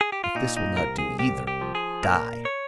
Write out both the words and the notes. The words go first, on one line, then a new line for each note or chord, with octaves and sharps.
If this will not do either, die!
G#4
G4
F4
A#2 D#4
D#4
C2 A#4
G#4
C2 G4
G4
F3
G#4
A#2 A#4
C#5